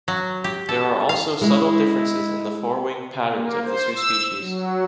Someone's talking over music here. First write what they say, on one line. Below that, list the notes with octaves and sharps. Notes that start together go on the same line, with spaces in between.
There are also subtle differences in the forewing patterns of the two species.
F#3
G4
A4
F5
G#3 E4
A#3
C5
E6
F#3